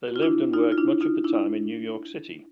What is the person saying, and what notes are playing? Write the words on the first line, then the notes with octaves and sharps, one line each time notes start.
They lived and worked much of the time in New York City.
F#4
F4
D4 E4
D#4 F4
F4
D4 E4
D#4 F4
D4 E4